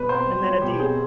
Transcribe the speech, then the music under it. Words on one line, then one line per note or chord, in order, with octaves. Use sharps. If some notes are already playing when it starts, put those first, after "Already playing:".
And then at the
Already playing: B2 B4
C4 C5
G3
F4 C#5
B2 G4
C4 G#4